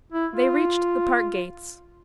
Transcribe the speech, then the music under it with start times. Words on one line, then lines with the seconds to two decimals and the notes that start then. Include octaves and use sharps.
They reached the park gates.
0.12 E4
0.32 F4